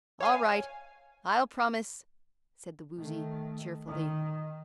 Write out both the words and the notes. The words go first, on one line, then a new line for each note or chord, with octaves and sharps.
"All right; I'll promise," said the Woozy, cheerfully.
C#5 F5 G#5
D#3 A3
D#3